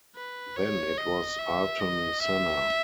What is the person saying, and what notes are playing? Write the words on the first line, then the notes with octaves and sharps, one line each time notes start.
Then it was Ayrton Senna.
B4
C#5
D#5
E5
D#5
E5